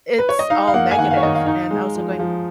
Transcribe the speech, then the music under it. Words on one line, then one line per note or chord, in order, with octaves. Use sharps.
it's all negative. And I was, like, going,
B4
C#5
D#5
D#4 F5
F5
A#3 F#5
G#5
D#3 F#5
F5
C#5
D#3 D#5
F5
D#4
G#3
F3
F3